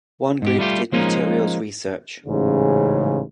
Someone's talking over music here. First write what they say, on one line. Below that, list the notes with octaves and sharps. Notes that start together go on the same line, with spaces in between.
One group did materials research.
G#2 G4
G3 A3 F4 G4
F3 G#3 A#3 C#4 D#4
A1 G#2 C#3